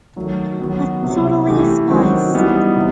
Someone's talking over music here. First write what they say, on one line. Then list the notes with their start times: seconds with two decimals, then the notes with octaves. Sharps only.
A Totally Spies!
0.16 D#3 F#3 A3
0.59 D#3 F#3 B3 F#4
1.03 C3 F#3 B3
1.46 E3 A3 E4 G4
1.89 D#3 F#3 C4 D#4 F#4
2.33 E3 G3 B3 D#4
2.76 C3